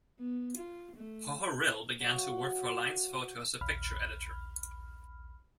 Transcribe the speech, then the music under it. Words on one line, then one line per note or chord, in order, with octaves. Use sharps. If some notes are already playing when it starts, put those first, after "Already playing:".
Pohorylle began to work for Alliance Photo as a picture editor.
B3
F4
A3
F#3 F#4 F5
A#1 D#2 B5 F6